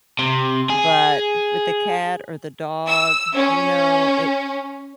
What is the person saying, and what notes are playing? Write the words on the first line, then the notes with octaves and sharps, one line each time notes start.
but with the cat or the dog, you know, it
C3
G#4
E6
C#4